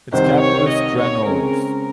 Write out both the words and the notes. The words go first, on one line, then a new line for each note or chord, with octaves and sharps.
Its capital is Granollers.
C2 C3 D#3 C5
C#5
D#5
C#5
C#3 G#3 C4 A#4